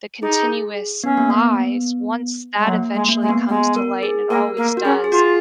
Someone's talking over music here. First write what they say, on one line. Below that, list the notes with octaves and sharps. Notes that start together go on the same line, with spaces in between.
the continuous lies once that eventually comes to light and it always does,
D#4 G#4
B3 C#4
A#3
B3
G#3
F#3 A#3
G#3
A#3
G#3
B3
G#3 B3
A#4
G#4
A#3 A#4
A#3 A#4
F#4
C#4 G#4
G#4
F4 F#4